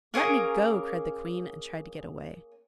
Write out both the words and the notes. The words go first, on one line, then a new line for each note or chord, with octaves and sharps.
"Let me go!" cried the Queen, and tried to get away.
A#3 C#4 G#4 A#4